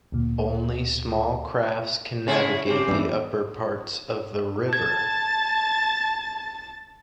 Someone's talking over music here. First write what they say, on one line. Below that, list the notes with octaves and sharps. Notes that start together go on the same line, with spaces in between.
Only small crafts can navigate the upper parts of the river.
D2 A#2
C#3 C#4 E4 G#4
C#3 C4 G4
E2 G2 E3 G3
A5 G#6 A6